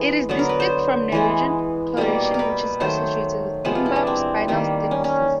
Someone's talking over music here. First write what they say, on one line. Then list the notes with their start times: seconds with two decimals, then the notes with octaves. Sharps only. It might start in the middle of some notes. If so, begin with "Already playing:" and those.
It is distinct from neurogenic claudication, which is associated with lumbar spinal stenosis.
Already playing: E3 G#3 B3
0.29 D3 F#3 B3
0.39 A#4
0.49 B4
0.60 C5
1.12 E3 G#3 B3
1.97 B2 G3 A#3
2.34 A#4
2.39 B4
2.80 D#3 F#3 A3 C5
3.65 C3 F3 G#3 B3 B4
3.75 F4
3.86 E4
3.96 D4
4.07 C4
4.48 D#3 G3 A#3
4.91 C#4
5.04 C#4